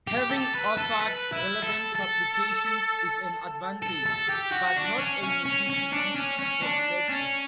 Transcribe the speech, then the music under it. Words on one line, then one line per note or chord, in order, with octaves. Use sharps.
Having authored relevant publications is an advantage, but not a necessity, for election.
G4
A4
B4
A4
B4
E4
A4
A4
A4
A4
G4
F#4
D4
C#4
C#4
C#4
C#4
D4
C#4
C#4
D4
C#4